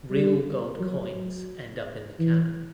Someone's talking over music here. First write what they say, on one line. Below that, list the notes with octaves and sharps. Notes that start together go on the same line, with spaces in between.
Real gold coins end up in the cannon.
G3
F#3
E3